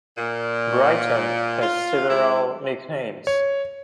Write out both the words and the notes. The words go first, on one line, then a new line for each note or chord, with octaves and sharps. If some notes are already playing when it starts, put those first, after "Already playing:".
Brighton has several nicknames.
A#2
F4
G#3 C4 E4
C#5